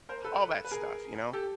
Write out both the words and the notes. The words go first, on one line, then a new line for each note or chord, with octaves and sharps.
all that stuff, you know,
A#4 C5
A4 B4
B4
G#4 A#4
G4 A4